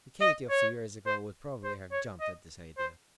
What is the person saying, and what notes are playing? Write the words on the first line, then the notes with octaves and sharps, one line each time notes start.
The Katy of two years ago would probably have jumped at this idea.
D#5
C#5
C5
C5
C#5
D#5
C5